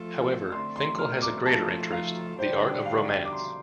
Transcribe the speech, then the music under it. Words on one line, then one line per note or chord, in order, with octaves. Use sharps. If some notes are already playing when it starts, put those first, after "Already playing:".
However, Finkle has a greater interest - the art of romance.
Already playing: F3 A3 F4 A4
D3 A3 C4 A4 C6
C6
F6
D6
F3 A3 F4 A4 A5
F5
D3 G3 D4 G4 C5
F5
D6
C6